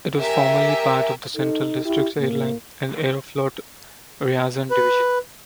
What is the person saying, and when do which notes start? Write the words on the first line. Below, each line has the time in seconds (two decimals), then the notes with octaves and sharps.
It was formerly part of the Central Districts Airlines and Aeroflot Ryazan division.
0.18 G4 A#4 E5 G#5
1.36 D#4 A4
1.85 E4 G4
2.19 A2 A#3
4.71 B4